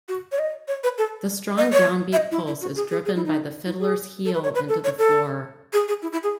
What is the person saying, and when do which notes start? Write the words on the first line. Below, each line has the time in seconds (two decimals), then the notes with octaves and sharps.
The strong downbeat pulse is driven by the fiddler's heel into the floor.
0.08 F#4
0.32 C#5
0.39 D#5
0.68 C#5
0.84 B4
0.98 A4
1.58 D#5
1.73 C#5
2.13 E5
2.17 D#5
2.31 E4
2.47 E4
2.61 F#4
2.76 G#4
2.91 G#4
3.05 G#4
3.16 E4
3.25 D#4
3.66 E4
3.80 G#4
4.25 A4
4.34 B4
4.44 C#5
4.55 B4
4.69 A4
4.84 C#5
4.99 A4
5.73 G#4
5.88 G#4
6.02 E4
6.12 E4
6.23 G#4